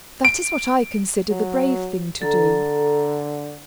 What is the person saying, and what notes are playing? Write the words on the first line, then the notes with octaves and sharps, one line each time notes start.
That is what I consider the brave thing to do.
D7
F#3
D3 A4 A#5